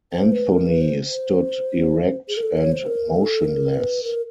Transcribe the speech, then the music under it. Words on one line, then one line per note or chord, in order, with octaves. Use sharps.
Anthony stood erect and motionless.
C5
B4
A#4
B4
C5
C5
G#4
A#4
A4
C#5
C5
A#4
A4
A#4
B4
A#4